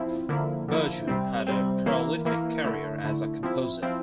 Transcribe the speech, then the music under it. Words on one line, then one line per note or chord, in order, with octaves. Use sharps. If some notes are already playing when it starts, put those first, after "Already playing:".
Berger had a prolific career as a composer.
Already playing: F3 C4 E4
D3 F3 A#3 E4
D3 F3 A#3 E4
C3 G3 C4
C3 G3 C4
E3 A#3 E4
E3 A#3 E4
D3 A3 E4
D3 A3 E4
F3 C4 E4
F3 C4 E4